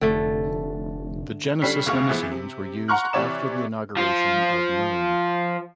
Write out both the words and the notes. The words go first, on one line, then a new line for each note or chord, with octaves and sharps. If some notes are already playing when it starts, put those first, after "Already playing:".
The Genesis limousines were used after the inauguration of Moon.
F1 D3 A3
D3 G3 C#4 B6 C7
F1 D2 B2 G#3 F5 C#6
E3 F3 G#3 B3
C3
F#5 A#5 C6 C#6 F6 F#6
C3 E3 C#5 D5 E7
F3 F4